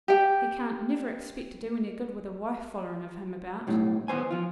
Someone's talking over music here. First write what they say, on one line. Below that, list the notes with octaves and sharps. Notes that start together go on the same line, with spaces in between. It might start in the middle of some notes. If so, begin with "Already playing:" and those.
He can't never expect to do any good with a wife follerin' of him about.
G4 G5
B1 A2 G3
D#2 B3 C5 G#5
F3 F4